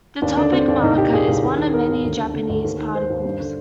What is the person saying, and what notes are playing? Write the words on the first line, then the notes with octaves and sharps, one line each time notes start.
The topic marker is one of many Japanese particles.
D#2 D4
D3 D4
D3 C4
D#2 D4
C2 D#4
A#2 G4
A#2 G#4
C2
D#2
D#3
D#3 A#4
D#2
D2
D3
D3
D2
D#2
D#3
D#3 C5
D#2
G2
D3